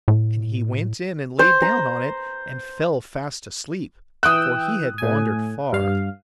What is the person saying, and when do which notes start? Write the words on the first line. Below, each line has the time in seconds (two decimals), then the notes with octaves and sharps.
And he went in and lay down on it, and fell fast asleep, for he had wandered far.
0.08 A2
1.39 C5
1.62 A#5
4.23 E3 G5 D#6 E6 F#6
4.98 A2 G#5
5.73 G2 F5